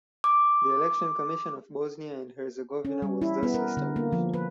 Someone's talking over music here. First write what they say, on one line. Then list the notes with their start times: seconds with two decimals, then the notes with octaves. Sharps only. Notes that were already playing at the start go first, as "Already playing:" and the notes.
The Election Commission of Bosnia and Herzegovina was thus established.
0.24 D6
2.85 C#4
3.02 G3
3.22 E4
3.43 B3
3.54 A#4
3.77 D3
3.96 A#3
4.13 F3
4.34 B4